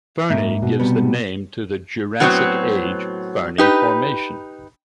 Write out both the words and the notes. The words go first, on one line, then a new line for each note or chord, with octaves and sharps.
Fernie gives the name to the Jurassic-Age Fernie Formation.
G#2 A#3 E5
B2
C3 G3 B3
A2 F#3 B3 C4 E4 F#4
D#4 G4 B4